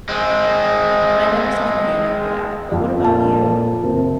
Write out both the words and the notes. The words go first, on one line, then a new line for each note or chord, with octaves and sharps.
but I never saw him again after that, but what about you?
G#3 C4
F2 F4
A#2 A5
F#1 C4